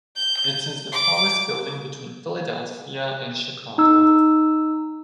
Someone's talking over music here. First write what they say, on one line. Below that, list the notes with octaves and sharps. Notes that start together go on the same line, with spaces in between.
It is the tallest building between Philadelphia and Chicago.
G6
D6
D#4 E6